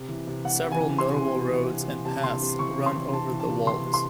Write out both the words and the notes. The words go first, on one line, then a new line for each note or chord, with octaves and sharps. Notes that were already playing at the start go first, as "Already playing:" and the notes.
Several notable roads and paths run over the Wolds.
Already playing: C3
E3
C3
E3 F#5
C3
G#5
E3
C3 C6
E3
C3
E3
C3
E3
C3 A5
E3 C6
C3
E3 C#6
C3
C6
E3
C3 A5
E3
A5
C3
E3 C6
C3
C6